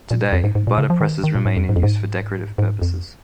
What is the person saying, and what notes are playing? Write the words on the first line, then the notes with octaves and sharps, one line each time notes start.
Today, butter presses remain in use for decorative purposes.
A#2
F2
G#2
G#2
A#2
C#3
F3
D#3
D#3
A#2
G#2
F2
G#2
F2
G#2
G#2
F2